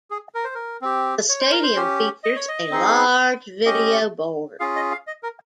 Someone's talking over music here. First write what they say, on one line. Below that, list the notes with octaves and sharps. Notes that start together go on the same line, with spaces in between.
The stadium features a large video board.
G#4
A#4
C5
A#4
C4 G4
C#5
C5
A#4
C5
C#4 G4
D#5
C#5
D#5
C4 D#4 G#4
C#4 G4 D#5
C#4 F4 G#4 F5
D#5
F5
D#5
A#4